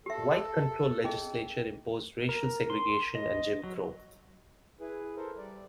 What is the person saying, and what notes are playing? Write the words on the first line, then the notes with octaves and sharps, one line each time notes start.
The white-controlled legislature imposed racial segregation and Jim Crow.
G4 A4 E5
C#4 G#4 D#5
A#4
C6
D#5
F#3
E4 G#4 B4
A4 A#4 C5
G3 D5